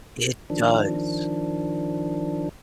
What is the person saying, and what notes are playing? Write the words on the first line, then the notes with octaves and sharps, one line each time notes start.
It does.
D#3 F3 D4